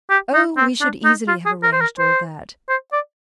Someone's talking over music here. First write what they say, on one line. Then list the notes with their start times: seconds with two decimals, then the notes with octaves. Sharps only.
'O, we should easily have arranged all that.
0.10 G4
0.34 D#4
0.57 C4
0.81 D4
1.05 D#4
1.28 F4
1.45 G#4
1.63 A#4
1.72 C5
1.81 A#4
1.98 C5
2.69 C5
2.92 D5